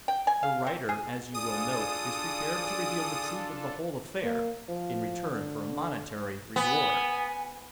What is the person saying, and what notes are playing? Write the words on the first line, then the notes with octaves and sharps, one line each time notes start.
The writer, as you will note, is prepared to reveal the truth of the whole affair in return for a monetary reward.
G5
G#5
F5
C4
G#4
D4 F4 G#4 A4 D5 D#6
A#3
F3
D3
B3 G#5